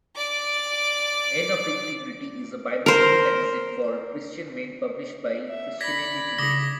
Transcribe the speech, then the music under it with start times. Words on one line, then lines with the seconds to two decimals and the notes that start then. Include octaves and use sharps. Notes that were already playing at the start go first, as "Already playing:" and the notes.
"Men of Integrity" is a bi-monthly magazine for Christian men published by Christianity Today.
0.16 D5 D6
2.86 A#4 C5
5.48 E5
5.81 D5 B5 G#6 A#6 B6
6.39 C#3 D6 D#6 A#6 G7